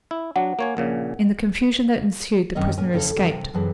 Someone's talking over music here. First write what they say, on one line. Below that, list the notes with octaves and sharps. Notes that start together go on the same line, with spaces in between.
In the confusion that ensued the prisoner escaped.
E4
F#3 D4 F#5
A#3 C#5 G#5
A#1 A#2 C#3
F#2 D#3 C4 C#4 D#5
A#2 C#4 A#4 G#5
F2 C#3 E4 G#4 A4
E2 D3 E3 F3 G3 G4
C3
F#2 C3 E3 G#4 A5